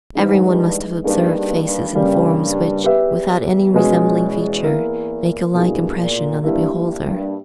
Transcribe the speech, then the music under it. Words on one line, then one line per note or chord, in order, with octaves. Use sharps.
Every one must have observed faces and forms which, without any resembling feature, make a like impression on the beholder.
G#2 E3 G#3 D#4
G2
G2 A#3 D#4 G#4 B4
G2
G2
G2 C#3 G3 A#3 C#4
E2 B3 G4 B4 E5
B2 G#3 C#4
A#3 E4 A#4
G2 B2 A#3 E4 G#4
A#2
G2 A#3 E4 G4 A#4 E5
G2
G2